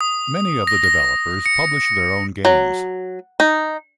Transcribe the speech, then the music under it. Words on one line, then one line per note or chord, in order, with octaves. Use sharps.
Many of the developers publish their own games.
D#6
A#6
A#6
C#7
F#3
D#4